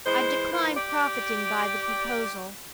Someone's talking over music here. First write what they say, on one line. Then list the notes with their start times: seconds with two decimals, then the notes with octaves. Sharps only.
I decline profiting by the proposal.
0.06 E3 G#3 C5
0.52 E3 A#3 C5
0.77 G4 D5